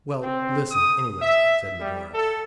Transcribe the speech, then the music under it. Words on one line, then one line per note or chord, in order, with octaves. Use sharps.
"Well, listen, anyway," said Medora.
C4
D#6
E5
G3
A4